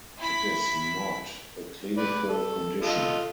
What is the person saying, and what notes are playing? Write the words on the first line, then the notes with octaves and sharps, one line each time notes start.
It is not a clinical condition.
E4 B5
B4 D5
A4
F4 A4 D#5